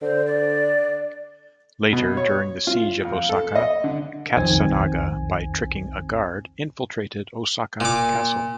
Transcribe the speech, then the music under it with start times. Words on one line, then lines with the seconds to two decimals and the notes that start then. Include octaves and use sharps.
Later, during the Siege of Osaka, Katsunaga, by tricking a guard, infiltrated Osaka castle.
0.02 D3 C5
0.26 D5
1.93 B2
2.17 C#5
2.67 F4
3.05 F2
3.29 A4
3.55 D#5
3.84 D3
4.36 B1 F2 D#3 C4 G#5
7.80 A#2 D6